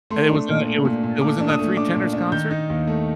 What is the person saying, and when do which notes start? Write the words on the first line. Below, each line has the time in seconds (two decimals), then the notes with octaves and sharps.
And it was in, uh, it was it was in the Three Tenors concert,
0.11 A3 C6
0.29 D4
0.48 A#2
0.67 A3
0.85 A#2
1.03 A#2
1.21 A3 D6
1.40 D4
1.49 D#6
1.59 A3
1.77 D4 D6
1.96 A#2
2.13 D4
2.32 D#3 G6
2.51 D#4
2.70 D#2
2.88 A3